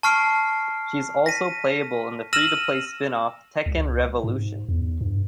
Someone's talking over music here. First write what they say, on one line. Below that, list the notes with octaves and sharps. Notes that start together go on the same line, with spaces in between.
She is also playable in the free-to-play spin-off "Tekken Revolution".
A5 C#6 F6 C7 D7
A#6 B6 D#7
E6 F6 A#6 D#7 E7 F#7
C#2
G#2
E2
G2